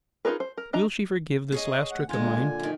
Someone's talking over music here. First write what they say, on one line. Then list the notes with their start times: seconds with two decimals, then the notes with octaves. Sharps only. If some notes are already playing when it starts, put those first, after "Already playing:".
Will she forgive this last trick of mine?
0.25 D#4 F4 G#4 A#4 B4
0.40 C5
0.58 A#4
0.73 D4 D#5 A#5
1.52 G#4 C#5 D#5
1.91 D2 F#5
2.09 A#2 D3 G#3 F4 G#5
2.59 F#2 D#3